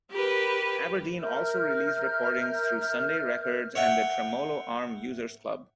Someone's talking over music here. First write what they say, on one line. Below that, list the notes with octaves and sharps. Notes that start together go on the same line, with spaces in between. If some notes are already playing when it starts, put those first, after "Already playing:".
Aberdeen also released recordings through Sunday Records and the Tremolo Arm Users Club.
G4 A#4 B4
A#4 E5 F6 G6
C#5 E5 F#5 G5